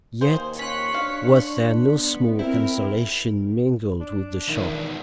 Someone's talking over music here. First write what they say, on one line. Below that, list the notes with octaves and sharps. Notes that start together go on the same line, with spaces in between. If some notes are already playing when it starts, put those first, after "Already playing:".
Yet was there no small consolation mingled with the shock.
D#2 A#3 G#4 C5
C#4 F4 C#5 C6 F#6 B6
D4 F#4 F5
B3
C4 E4 A#4
D4
B1 E2 D#3